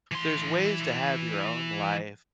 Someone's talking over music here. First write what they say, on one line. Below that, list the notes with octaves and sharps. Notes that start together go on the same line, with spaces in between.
there's ways to have your own life
E3 C6